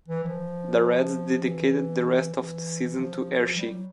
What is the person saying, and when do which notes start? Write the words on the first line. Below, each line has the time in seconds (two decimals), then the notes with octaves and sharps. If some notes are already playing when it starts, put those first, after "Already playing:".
The Reds dedicated the rest of the season to Hershie.
0.08 E3
0.24 F3
1.45 E3
2.35 E3
2.96 F3
3.56 G3
3.71 F#3